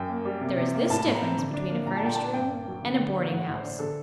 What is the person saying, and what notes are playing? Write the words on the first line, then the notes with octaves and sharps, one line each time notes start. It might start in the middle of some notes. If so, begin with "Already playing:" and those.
There is this difference between a furnished room and a boardinghouse.
Already playing: F#2 G5
A#3
G3
C3
C3
A#3
A2 A5
A2
A#5
C4
D3
D4
A#3
A#2 A#5
A5
A#2 G5
D4 A5
G2 G5
A#3
F#3
D3
D3
A#3
A2 F#5
A2
C5
D4
D3 A4